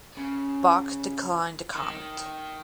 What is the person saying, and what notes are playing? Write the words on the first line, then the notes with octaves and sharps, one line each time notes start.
Bach declined to comment.
C#3
D#3